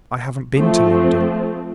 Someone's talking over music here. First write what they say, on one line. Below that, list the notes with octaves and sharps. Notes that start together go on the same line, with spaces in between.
'I haven't been to London.
F3 A3 C4